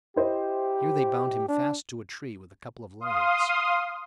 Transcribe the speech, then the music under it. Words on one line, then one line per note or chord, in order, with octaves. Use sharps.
Here they bound him fast to a tree with a couple of lariats.
E4 G4 C5 D#5
D4
F5 C6 D#6